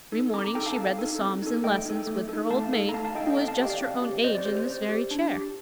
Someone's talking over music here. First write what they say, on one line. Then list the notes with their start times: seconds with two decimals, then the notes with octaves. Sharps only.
Every morning she read the Psalms and Lessons, with her old maid, who was just her own age--in this very chair.
0.12 D#4 A4
0.33 C4 A#5 D6
0.44 A#5 D6
0.55 D#4 A4 G5 A#5
0.66 F5 A5
0.77 C4
0.99 D#4 A4
1.20 C4
1.42 D#4 A4
1.64 A3 D#5 G5
1.86 D#4 A4
2.07 A3
2.29 D#4 A4
2.51 A3 F5 A5
2.73 D#4 A4
2.89 A#5
2.94 A3 F5 A5
3.05 F5 A5
3.15 D#4 A4 D#5 G5
3.27 D#5 G5
3.37 C4 D#5 G5
3.48 F5 A5
3.59 G4 D#5 G5
3.70 D5 F5
3.81 C4
4.02 G4
4.24 C4 C5 D#5
4.35 D5
4.45 G4 C5
4.57 C5
4.68 C4
4.89 G4
5.11 D4
5.32 G4